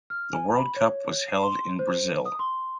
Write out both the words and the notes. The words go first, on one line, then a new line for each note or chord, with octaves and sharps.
The world cup was held in Brazil.
F6
G#5
B5
C#5
C7
C6
C5
D#6
C6